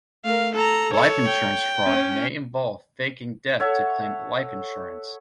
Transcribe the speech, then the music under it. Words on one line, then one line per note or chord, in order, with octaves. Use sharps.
Life insurance fraud may involve faking death to claim life insurance.
A3 A#4 F5
A4 A#5
A4 C#5
G5
C#4
A4 C#5 E5 F#5